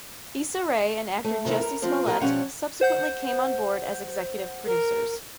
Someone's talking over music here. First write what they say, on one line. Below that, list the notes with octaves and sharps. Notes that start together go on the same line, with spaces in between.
Issa Rae and actor Jussie Smollett subsequently came on board as executive producers.
A3
C3 D#3 A#3 B3 E4
A#4
F3 C4
A#3 E4 F4 G4 A#4 D#5
B2 F3 G3 C#4 C#5 F#5
C5 F#5 G6
A#4